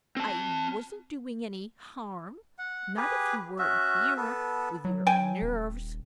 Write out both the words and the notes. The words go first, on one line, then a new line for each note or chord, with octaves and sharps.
"I wasn't doing any--harm; not if you weren't here--with your NERVES!"
C4 A5
F#5
G4 G#4 B4
C#4 F#4 E5
B3 A4
F#3
G5 G#5
D#1